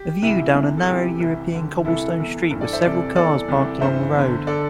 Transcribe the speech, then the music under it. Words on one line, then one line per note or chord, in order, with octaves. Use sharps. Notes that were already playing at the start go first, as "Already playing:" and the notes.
A view down a narrow European cobblestone street with several cars parked along the road.
Already playing: G4
C2 C3 E3 E4
E2 C3 E3
A4
E2 C3 E3 G4
C2 C3 E3
D2 D3
C2 C3 E3 E4 A4
E2 E3
G2 E3
A4 D5
C5 E5
C2 C3 E3 A4 D5
E2 E3 A4 D5
C2 C3 E3
G2 E3 C5 E5
E2 D3
D3 A4 D5